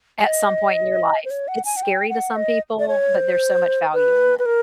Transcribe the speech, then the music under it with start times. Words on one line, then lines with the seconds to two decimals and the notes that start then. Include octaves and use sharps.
at some point in your life. It's scary to some people, but there's so much value in it.
0.25 D#5
1.25 C5
1.30 C#5
1.48 F#5
1.65 G#5
1.76 F#5
1.83 G5
2.10 F#5
2.36 D#5
2.79 D5
2.88 C#5
3.15 C5
3.94 B4
4.39 B4
4.46 A#4